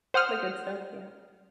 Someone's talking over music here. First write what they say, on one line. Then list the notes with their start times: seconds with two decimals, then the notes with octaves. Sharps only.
The good stuff, yeah.
0.14 C5 F#5 D#6 F6